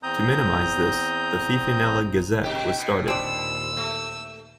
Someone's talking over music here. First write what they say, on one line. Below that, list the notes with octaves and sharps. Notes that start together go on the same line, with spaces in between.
To minimize this, the "Fifinella Gazette" was started.
E2 C4 A#5 D#6 G6
C3 D#3 G4
B2
D#2 A#2 C4 D4 E6
A3